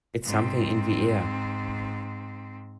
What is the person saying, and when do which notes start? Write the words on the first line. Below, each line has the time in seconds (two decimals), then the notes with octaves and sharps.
It's something in the air.
0.24 G#2 C4